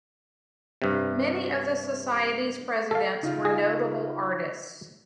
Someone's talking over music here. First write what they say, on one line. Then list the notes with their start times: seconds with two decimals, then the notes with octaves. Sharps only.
Many of the Society's presidents were notable artists.
0.82 G2 C3
2.91 A4 F5
3.23 C#3 D#4 F4
3.45 G#4